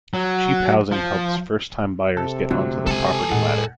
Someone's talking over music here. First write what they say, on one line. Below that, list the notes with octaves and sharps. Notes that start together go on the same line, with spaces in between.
Cheap housing helps first time buyers get onto the property ladder.
F#3
F3
C3 A4
D3 F3 F#3 A3
C#3 G#3 A4 G#5
A2 G#3 F#5